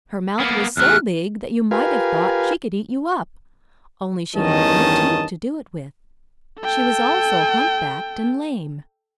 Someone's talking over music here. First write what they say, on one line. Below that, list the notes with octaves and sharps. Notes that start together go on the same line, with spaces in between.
Her mouth was so big that you might have thought she could eat you up, only she had no teeth to do it with; she was also humpbacked and lame.
A#3 B3
E2 A3 G4 F6 F#6
F4 G4 A#4 B4 F5 G#5
E2 G2 D#3 C#4 D#5 A5
A4 G5